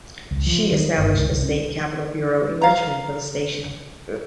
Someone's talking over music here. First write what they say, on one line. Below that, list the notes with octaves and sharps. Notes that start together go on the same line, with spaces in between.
She established a State Capitol Bureau in Richmond for the station.
C#2
F3
D#3
G1
C#2
C2
C#4
F5 A#5